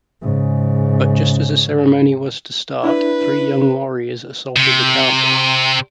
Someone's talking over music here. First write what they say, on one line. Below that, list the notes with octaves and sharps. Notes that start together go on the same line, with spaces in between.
But just as the ceremony was to start, three young warriors assaulted the castle.
G#2 C#3
D4 E4 B4
C3